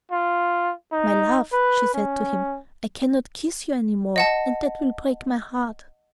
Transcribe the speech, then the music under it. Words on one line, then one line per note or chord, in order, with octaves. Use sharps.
"My love," she said to him, "I can not kiss you any more, and that will break my heart."
F4
D#4
B4
C#4
D#5 F#5 A5